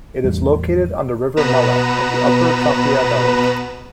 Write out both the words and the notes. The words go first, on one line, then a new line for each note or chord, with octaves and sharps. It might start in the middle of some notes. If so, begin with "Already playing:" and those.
It is located on the river Mella, in the upper Trompia valley.
A1 E2 G3
B2 B3 B4 A#5 E7